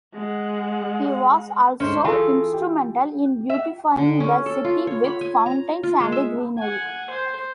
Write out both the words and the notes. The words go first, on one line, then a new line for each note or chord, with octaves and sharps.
He was also instrumental in beautifying the city with fountains and greenery.
G#3 F#5
D2 G#2 C#4 C5
E3 F4 G#4 A4
G4
E5
D3
C#4
A4
F4
C#5
B5
G#5
A#5
F4
G#3
E5
F#5 G#5
C5